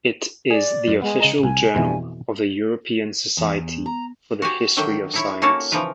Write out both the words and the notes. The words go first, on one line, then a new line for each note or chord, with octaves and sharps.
It is the official journal of the European Society for the History of Science.
G#4 D5
F#2
G#3 B3
C#3 D#5 A#5
C2 G#5
F2 B2 E3
E2
A#5
F#4 G4 G#5
D3 D#3 F#3 E5 G5
D#4 E4 C#5
A#3 C#4 D#4 F#4 A4 C#5
C#3 E3 F3 D#4 A#4 B4